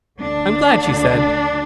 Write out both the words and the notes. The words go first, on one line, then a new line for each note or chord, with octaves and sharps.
"I'm glad," she said.
D2 D3 D4